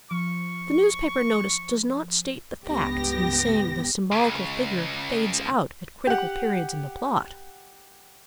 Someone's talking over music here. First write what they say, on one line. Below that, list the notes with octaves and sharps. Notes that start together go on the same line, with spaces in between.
The newspaper notice does not state the facts in saying the symbolical figure "fades out" at critical periods in the plot.
F3 C#6
C#2 G2 B3 G4 A#6
C#2 C#3
G4 F#5